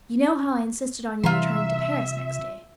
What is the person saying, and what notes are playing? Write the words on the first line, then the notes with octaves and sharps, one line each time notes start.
You know how I insisted on your returning to Paris next day.
C3 E3 G3 F4 E5 A#5 C6